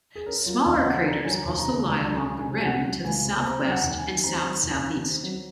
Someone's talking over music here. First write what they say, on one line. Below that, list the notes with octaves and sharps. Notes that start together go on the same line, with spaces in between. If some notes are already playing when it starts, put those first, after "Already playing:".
Smaller craters also lie along the rim to the southwest and south-southeast.
G#4
C#4 A#4
F#3 F4
D#2 D#5
F5
C#3 F#5
C#4 A#5
F#3 G#5
A#5
D#2
A#5
C#3
C#2 A#5
F#3
A#5
C#2
G#5
C3
G#5
C#2 F#5
F#3
C#2 G#5
C3
C4 A#5
F#3
F#5
D#2
G#5
D#3
C4 A#5
F#3
D#2
D#3
C4
F#3